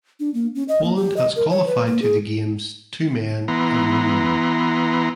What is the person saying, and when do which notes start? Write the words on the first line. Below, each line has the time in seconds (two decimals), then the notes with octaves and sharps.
Poland has qualified to the games two men and one woman.
0.20 D4
0.34 A#3
0.55 C#4
0.68 D#5
0.84 A#3
0.96 G4
1.17 D#5
1.36 A#4
1.50 C#5
1.66 B4
1.87 A#3
2.02 G#4
3.48 E3 B3 A#5 C6